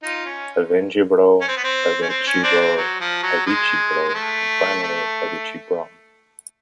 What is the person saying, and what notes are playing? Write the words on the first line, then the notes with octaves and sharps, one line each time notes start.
Avengebrol, Avencebrol, Avicebrol, and finally Avicebron.
D#4 F4
C#4
C#4
C4
B3
C4
C#4
C4
C#4
C4 D4
C4
F#3
F3
F#3
G#3
G#3
A3
A3